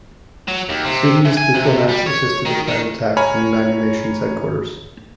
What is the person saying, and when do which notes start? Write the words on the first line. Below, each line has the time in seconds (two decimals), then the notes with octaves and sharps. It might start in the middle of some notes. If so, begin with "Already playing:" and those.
Sudanese diplomats assisted the planned attack on the United Nations headquarters.
0.48 F#3
0.69 D#2
0.85 C3
1.25 E3
1.37 G#5
1.54 C3
1.89 G3
2.07 C#5
2.46 D#3
2.68 D#3
3.17 C#5 G#5 A#5 B5 F6